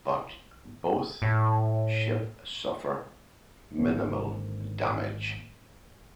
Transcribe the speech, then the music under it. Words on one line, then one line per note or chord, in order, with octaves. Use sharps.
But both ship suffer minimal damage.
A2
G#1 D3 A#3 C4